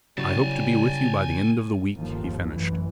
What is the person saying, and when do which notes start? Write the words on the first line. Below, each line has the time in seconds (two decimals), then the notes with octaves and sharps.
"I hope to be with you by the end of the week," he finished.
0.18 C#3 F#3 G3 E4 C#5 G#5 A5
1.97 G1 D#2 F3
2.50 A1 F#2 E3